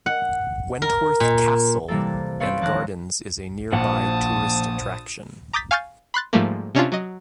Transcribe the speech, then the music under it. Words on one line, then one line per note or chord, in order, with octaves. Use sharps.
Wentworth Castle and gardens is a nearby tourist attraction.
F#5
A#4
A#2
C3 E3 G3 A#3 A4
C4 C#4 A4 B4 C#5 F5
F1 D#2 A5 F#6 A#6
A#1 F3 A#3 F#5 A5 D#6
A#5 D6 D#6 G6 A6 B6
F5 G#5 C#6 F6 G6 A6
B5 C6 F#6 A6
G#2 F3 G3 A3 A#3
C3 C#4 D4 F4
F#3 D#5